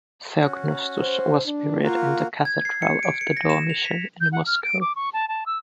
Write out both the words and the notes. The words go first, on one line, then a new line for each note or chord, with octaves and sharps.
Theognostus was buried in the Cathedral of the Dormition in Moscow.
C#4 F#4
C5
D4
A#3 F4 F#4 A#4
G#6
C7
C#7
D7
C#7
A#6
E7
F7
B6
G6
F#5
F6
D7
D6
C#6
A5
A5
E6